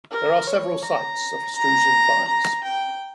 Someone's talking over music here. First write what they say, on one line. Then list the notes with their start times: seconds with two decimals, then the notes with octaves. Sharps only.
There are several sites of Etruscan finds.
0.11 A#4
0.47 C#5
0.83 A#5
1.56 A#5
2.27 A#5
2.63 G5